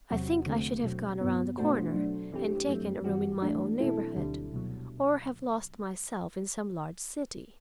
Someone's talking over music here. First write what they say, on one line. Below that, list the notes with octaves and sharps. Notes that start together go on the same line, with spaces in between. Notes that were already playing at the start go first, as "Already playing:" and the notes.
I think I should have gone around the corner and taken a room in my own neighborhood, or have lost myself in some large city.
E2 C3 F#3 C4 F#4
D3 A3 C4
B2 F#3 C4
G2 E3 B3
B2 A3 D4 F#4 C5
F#3 A3 D4
F#2 E3 A3 C4 G4
G2 F#3 A3 C4
G2 E3 G3 C4 F#4
E3 A3 D4
B2 F#3 C4 E4 A4
D2 D3 G3
C2 B2 F#3